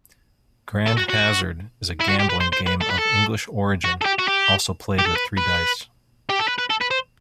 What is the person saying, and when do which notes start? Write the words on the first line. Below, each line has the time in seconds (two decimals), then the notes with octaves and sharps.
Grand Hazard is a gambling game of English origin, also played with three dice.
0.88 A4
0.98 F#4
1.10 F#4
2.00 E4
2.09 F#4
2.19 G4
2.30 B4
2.41 C5
2.53 C5
2.67 B4
2.81 A4
2.91 B4
2.99 A4
3.84 F#4
4.02 A4
4.06 G4
4.19 F#4
4.28 G4
4.99 G4
5.06 A4
5.16 B4
5.37 B4
6.29 G4
6.39 A4
6.48 B4
6.58 B4
6.70 A4
6.81 B4
6.91 C5